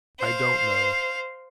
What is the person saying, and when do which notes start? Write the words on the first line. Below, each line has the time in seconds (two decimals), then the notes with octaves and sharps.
I don't know.
0.19 C5 F5